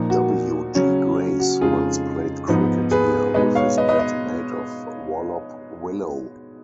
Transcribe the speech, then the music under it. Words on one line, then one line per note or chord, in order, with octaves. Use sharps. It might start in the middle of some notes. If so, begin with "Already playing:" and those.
W. G. Grace once played cricket here, with his bat made of Wallop willow.
Already playing: A#2 F3 A#3 D#4
F#4
C#3 F#3 C#4
F#4
F2 C#3 G#3 D#4 F4 G#4
G#2 F3 B3 D#4
G#4 B4
B2 G#3 D#4 B4 D#5
C#5 F5
B4 D#5
B4 D#5
B4 D#5